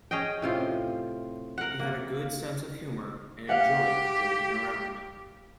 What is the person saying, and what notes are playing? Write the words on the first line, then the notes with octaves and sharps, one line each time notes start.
He had a good sense of humor and enjoyed joking around.
C#4 G#4 D#5 G5
A2 C3 F4
A#4 F#5
A#3
G4 F5 F#5